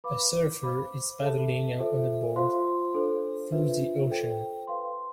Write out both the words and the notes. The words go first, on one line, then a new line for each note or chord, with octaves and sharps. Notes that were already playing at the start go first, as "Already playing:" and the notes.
A surfer is paddling on a board through the ocean.
B4 F5 B5 D6
C5 F5 B5 D6
A4 E5 A5
F4 A4 C5 E5
F4 C5 F5 C6
D4 A4 C5
D4 F4 B4 E5
A4 C5 G5
B4 F5 C6